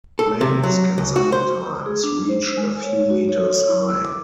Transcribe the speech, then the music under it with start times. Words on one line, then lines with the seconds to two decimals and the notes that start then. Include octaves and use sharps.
Flames can sometimes reach a few meters high.
0.19 A4
0.41 C3
0.64 F#3
0.98 C#2
1.16 F#4
1.32 C5
1.86 G#4
2.04 D4
2.29 C5
2.57 G#3
2.83 C#5
3.10 F#4
3.29 C#5
3.69 E4
3.88 E6
4.04 D6